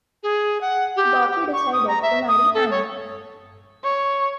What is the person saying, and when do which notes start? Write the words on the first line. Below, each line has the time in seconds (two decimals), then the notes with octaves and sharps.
Bobby decided to marry Anna.
0.23 G#4
0.61 F#5
0.96 G4
1.31 G4
1.53 C#6
1.73 D#6
1.88 A#5
2.02 E5
2.28 D#6
2.54 A4
2.71 C#5
3.84 C#5